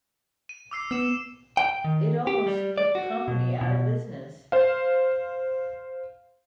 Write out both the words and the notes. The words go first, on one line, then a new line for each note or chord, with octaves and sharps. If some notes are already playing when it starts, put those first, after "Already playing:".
It almost put the company out of business.
D#7
D6 E6 C7
B3 E6 E7
G5
D#3
G4
G3
D5
F#4
B2
B2
C5 F5